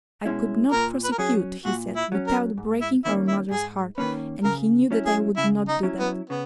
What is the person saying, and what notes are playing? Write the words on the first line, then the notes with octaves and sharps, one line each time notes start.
I could not prosecute, he said, without breaking our mother's heart, and he knew that I would not do that.
B2 G#3 C#4 E4
A#2 A#4
B4
A#4
F#3 C#4 G#4
A#2 F#4
E4
F#3 C#4
A#4
G#2
E4
D#3 A#3 C#4 E4
E4
G#2 G#4
D#3 A#3 C#4 B4
C#3 A#4
F#3 C#4 E4
G#4
C#3 E4
D#4
F#3 C#4 E4
B3
C#3 B3